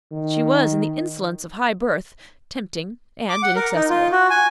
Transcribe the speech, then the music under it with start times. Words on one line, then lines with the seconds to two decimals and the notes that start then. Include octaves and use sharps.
She was, in the insolence of high birth, tempting and inaccessible.
0.12 D#3
3.29 D6
3.43 F#5
3.56 A#4
3.75 D#4
3.90 F4
4.12 F#4
4.30 G#5